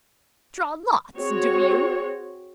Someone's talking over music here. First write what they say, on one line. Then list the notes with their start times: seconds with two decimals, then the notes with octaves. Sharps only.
Draw lots, do you?
1.17 C4 F#4 G#4 C#5